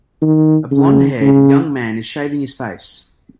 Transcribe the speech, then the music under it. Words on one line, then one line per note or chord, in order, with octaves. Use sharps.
A blondhaired, young man is shaving his face.
D#3
C#3
C#3